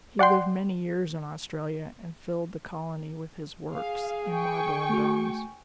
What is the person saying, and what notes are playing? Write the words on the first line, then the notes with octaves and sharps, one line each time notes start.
He lived many years in Australia, and filled the colony with his works in marble and bronze.
D5 F#5 G5 C6
G#4 F5
G5 G#5 C#6
A3 F#4